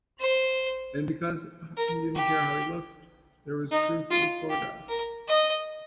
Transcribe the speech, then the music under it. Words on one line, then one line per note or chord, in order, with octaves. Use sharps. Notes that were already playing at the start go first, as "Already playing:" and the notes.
And because he didn't care how he looked, there was truth in his photographs.
C5
A#4
G4
D#4
F4
G4
A#4
D#5